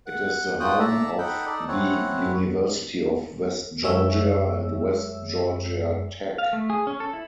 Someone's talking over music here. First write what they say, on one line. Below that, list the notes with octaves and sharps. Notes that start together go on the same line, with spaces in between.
It is the home of the University of West Georgia and West Georgia Tech.
F#5
F4 F#4 G5 D#6 F#6
A4 D5 E5 A5 A#5 E6
D#4 A4 F#5 G5 B5
D#4 A4 D5
C4 C#4 E4 C#5 F#5
F#2 G#3 G#4 C#5 E5 E6
F5
A3
G#4
C#4
A4
E4